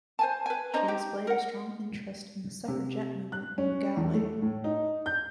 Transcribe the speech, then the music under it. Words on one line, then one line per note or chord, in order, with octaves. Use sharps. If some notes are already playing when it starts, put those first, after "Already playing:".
She displayed a strong interest in the suffragette movement in Galway.
C5 G#5 A5
B4 G#5
D4 C5 D#5 A#5
D#4 G4
A#4 F#5
C3
F#6
C#4
E2
A3
A2
D#4
G6